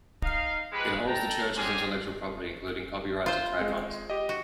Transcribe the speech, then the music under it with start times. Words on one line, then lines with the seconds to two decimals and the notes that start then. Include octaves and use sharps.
It holds the church's intellectual property, including copyrights and trademarks.
0.23 D#4 F5
0.72 F3 G#3 G4 B4
1.07 A4 G5 A5 A#5
1.56 C4 D4 G4 G#4 F5 G#5
3.26 F4 C5
3.59 G#3 C4
4.10 G4 D#5
4.29 F#4